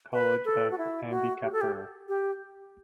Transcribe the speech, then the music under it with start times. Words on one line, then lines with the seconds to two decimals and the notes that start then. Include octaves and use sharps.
College of Ambikapur.
0.13 B4
0.45 A4
0.71 F#4
0.78 E4
1.10 F#4
1.43 G4
1.52 A4
1.61 G4
2.08 G4